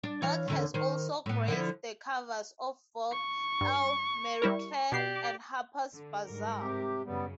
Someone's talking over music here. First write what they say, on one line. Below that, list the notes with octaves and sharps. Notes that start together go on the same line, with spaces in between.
North has also graced the covers of Vogue, Elle, Marie Claire, and Harper's Bazaar.
D4
E3 C#5 F5
E2 D3 C#4
D#3 C5
A2 B3
D3 F3 E4
C#6
G2
G3 E4 A#4
B2 G4 D5 C7
D3
G#2 G3 A#4
C3 G4
F#2 C#3 G3 B3